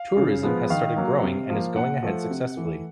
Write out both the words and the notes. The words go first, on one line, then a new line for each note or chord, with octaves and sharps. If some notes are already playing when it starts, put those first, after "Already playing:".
Tourism has started growing and is going ahead successfully.
Already playing: F5
C#3
F3 G#3 B3
D#3 F5
F#3 A#3
C3
F3 A#3
A#2 F#5
F3 A3
C3
E3 A3